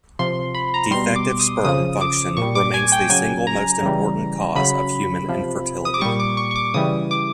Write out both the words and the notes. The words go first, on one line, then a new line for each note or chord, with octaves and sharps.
Defective sperm function remains the single most important cause of human infertility.
C3 F3 C6
B5
A#5
B2 G3 C6
D6
D#6
C#3 F3 D#6
D6
A#2 G3 C#6
D6
G#5
G5
C#3 F#3 G#5
A#5
C#3 E3 G3
C#3 F#3 B5
C3 F3
D#6
D6
A#2 G3 C#6
D6
C#6
C#6
D6
C#3 E3 G3 D#6
D6